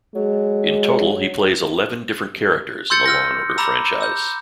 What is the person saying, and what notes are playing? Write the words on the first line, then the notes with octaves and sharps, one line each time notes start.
In total, he plays eleven different characters in the "Law and Order" franchise.
F#3 G#3
C6 E6 G6 A6 C#7
E6 F6 A#6
A#5 B5 D6 E6
E6 G6